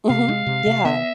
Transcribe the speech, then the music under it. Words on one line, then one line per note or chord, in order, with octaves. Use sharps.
Mhm. Yeah.
C3 F5
G#3
C3
C3
B3 E5